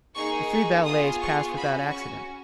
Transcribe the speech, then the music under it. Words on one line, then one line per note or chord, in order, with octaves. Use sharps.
The three valets passed without accident.
A#3 D#4 G#4 C#6
C#6
B3 F4 G#4 D#6
C#6
C#4 F#4 B5
C#6